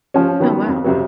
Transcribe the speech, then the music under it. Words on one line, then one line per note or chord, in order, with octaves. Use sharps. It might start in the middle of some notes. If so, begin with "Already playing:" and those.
Oh, wow.
F3 C#4
D#3 F#3 B3
F2
F2 C3 F#3